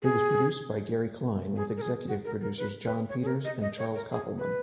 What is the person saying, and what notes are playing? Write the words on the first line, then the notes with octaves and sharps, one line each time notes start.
It was produced by Gary Klein with executive producers Jon Peters and Charles Koppelman.
G#4
G#4
A#4
G#4
F#4
A#4
A#4
B4
B4
C#5
G#4
A#4
D#5
D#5
C#5
A#4
G#4
B4